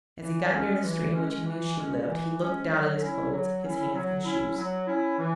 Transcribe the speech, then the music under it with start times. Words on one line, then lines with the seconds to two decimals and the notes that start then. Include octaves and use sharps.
As he got near the street in which he knew she lived, he looked down at his clothes, his hands, and shoes.
0.21 E3
0.52 G#3 C#4
0.83 E3
1.13 G#3 C#4
1.44 E3
1.76 G#3 C#4
2.07 E3
2.38 G#3 C#4
2.69 F#3
3.00 C#4 E4
3.31 F#3
3.63 C#4 E4
3.94 F#3
4.25 C#4 E4
4.56 F#3
4.87 C#4 E4
5.19 E3